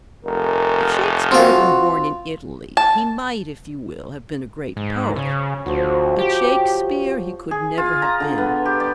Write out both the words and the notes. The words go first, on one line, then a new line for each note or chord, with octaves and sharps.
If Shakespeare had been born in Italy he might, if you will, have been a great poet, but Shakespeare he could never have been.
F1 A#4
C4 F4 F#4
A5
G#2
C#3 C#5
D2 F3 F#4
G4
G#4
F4
A#5
D3
B3
G4
D5